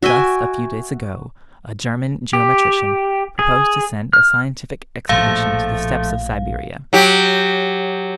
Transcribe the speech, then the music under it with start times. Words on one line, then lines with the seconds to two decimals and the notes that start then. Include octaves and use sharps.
Thus, a few days ago, a German geometrician proposed to send a scientific expedition to the steppes of Siberia.
0.03 F#4 E5 G5 G#5
2.33 G4
3.39 G#4
4.13 F6
5.09 A#1 A2 F3 A3 F5
6.93 F#3 G4